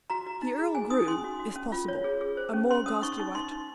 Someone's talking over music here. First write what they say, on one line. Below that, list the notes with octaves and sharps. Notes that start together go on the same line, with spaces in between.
The earl grew, if possible, a more ghastly white.
F#4 A#5
F#4
D#4
G#4
G#4 G#5
D#4 D#6
C#4 C6
F#4
F#4
C#4
F4
C#5
G#4
G#4
C5
C#4
C#4 C6
C#4 D#6
D#4 C#6
D#4
D#4 C6
D#4